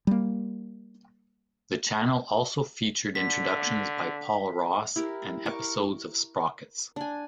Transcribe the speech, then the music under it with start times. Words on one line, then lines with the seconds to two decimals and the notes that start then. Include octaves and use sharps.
The channel also featured introductions by Paul Ross and episodes of Sprockets.
0.07 G3 A#3
3.15 D3 B6
4.96 E4 G4 A#4
5.46 A#4 C#6 D6
6.96 D4 G#5